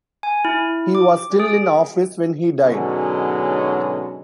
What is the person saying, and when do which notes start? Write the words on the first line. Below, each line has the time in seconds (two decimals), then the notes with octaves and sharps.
He was still in office when he died.
0.23 G#5
0.45 E4
0.95 D6
1.40 G#4
2.63 G#2 B2 D3 F#3 G#3 C#4